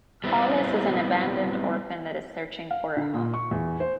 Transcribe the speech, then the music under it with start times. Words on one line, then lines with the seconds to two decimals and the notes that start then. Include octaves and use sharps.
Hollis is an abandoned orphan that is searching for a home.
0.24 G3 B3 C4 E4
2.71 F5
2.97 D3
3.14 A#2
3.34 C#6
3.51 E2
3.80 C5